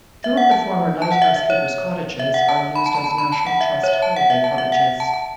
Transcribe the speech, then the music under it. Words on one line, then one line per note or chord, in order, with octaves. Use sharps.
Two of the former lighthouse keepers' cottages are used as National Trust holiday cottages.
E5
F#5
A5
A5
F#5
E5
E5
C#5
E5
F#5
A5
B5
A5
B5
A5
B5
A5
F#5
E5
C#5
E5
A5
F#5
E5
A5
E5
F#5
A5
A5